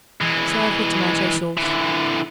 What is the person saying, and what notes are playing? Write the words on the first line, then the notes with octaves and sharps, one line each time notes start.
Serve with tomato-sauce.
E3 G#3
D3 E3